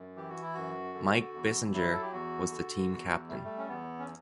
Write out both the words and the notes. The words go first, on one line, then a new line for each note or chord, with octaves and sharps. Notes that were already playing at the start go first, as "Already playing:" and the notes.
Mike Bissinger was the team captain.
Already playing: F#2
E3 G4
F#4
E4
F#2 F#4
D3
E2
F#3 E4
A4
G4
E2 F#4
D3
E2
G3 A3
A3
C#4
E2 B3
C#4